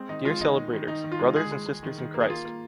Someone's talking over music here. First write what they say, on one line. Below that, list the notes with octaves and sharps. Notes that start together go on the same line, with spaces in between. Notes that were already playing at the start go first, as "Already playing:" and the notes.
Dear celebrators, brothers and sisters in Christ!
Already playing: G#3 C4
D#3 D#4
G#3 F4
D#3 D#4
D#3
D#3
D#3 D#4
D#3
F4
G#3
G#3 G#4
G#3
G#3
D#3
D#3
A#3
G#4
A#3 F4
A#3